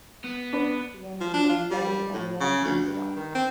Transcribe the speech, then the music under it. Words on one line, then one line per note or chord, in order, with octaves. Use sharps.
The engine room flooded and the engines stopped.
B3
D4 B4
F3
D4
F4
G3
A2
C#3
D2
G2
D#3
C4